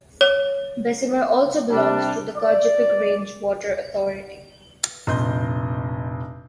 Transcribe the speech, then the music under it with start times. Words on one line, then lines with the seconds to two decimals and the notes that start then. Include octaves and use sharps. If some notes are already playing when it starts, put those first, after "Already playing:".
Bessemer also belongs to the Gogebic Range Water Authority.
0.21 C#5
1.70 C3 G3 D4
2.36 D5
5.07 F1 A#1 D#5 C6 G6